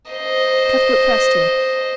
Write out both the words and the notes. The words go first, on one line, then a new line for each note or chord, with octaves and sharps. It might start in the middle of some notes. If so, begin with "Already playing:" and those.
Cuthbert pressed him.
C5 D#5